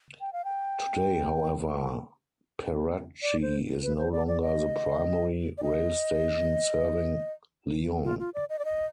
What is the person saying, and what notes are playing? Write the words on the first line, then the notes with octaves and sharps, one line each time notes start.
Today, however, Perrache is no longer the primary rail station serving Lyon.
G5
F5
G5
D5
C5
B4
C5
D5
D5
D#5
D5
D#5
F4
F4
D5
D#5
D5
D#5